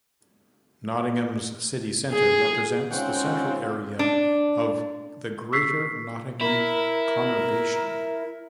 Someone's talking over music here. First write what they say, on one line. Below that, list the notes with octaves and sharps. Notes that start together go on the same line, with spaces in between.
Nottingham's city centre represents the central area of the Greater Nottingham conurbation.
G#4
G#2 C#3 C4 C#4 F4 F#5 G5
D4
C#6 E6 B6 C7
E4 A#4